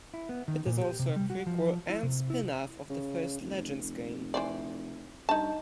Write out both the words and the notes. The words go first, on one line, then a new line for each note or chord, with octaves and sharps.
It is also a prequel and spin-off of the first Legends game.
E4
B3
D#3
A#2
G4
C3
G3
F#4
F3
E4
C3
E4
C#3
F1
E3 C5 D5
G2 D#4 A5